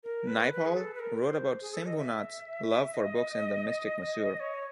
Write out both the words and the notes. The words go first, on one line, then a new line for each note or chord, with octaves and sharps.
Naipaul, wrote about Simbhoonath's love for books in The Mystic Masseur.
A#4
B4
B4
G#4
A4
B4
A#4
C5
G#4
A4
D#5
E5
D#5
C#5